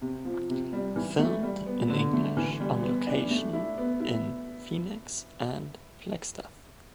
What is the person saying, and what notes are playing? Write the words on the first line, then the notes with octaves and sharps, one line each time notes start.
Filmed in English on location in Phoenix and Flagstaff.
C3
F3
C3
G3
E3
A3
G3
B3
D3
A3
E3
G3
B3
D4
A3
E4
B3
E4